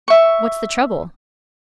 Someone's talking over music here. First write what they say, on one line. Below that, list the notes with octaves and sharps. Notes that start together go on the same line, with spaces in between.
'What's the trouble?
E5 C#6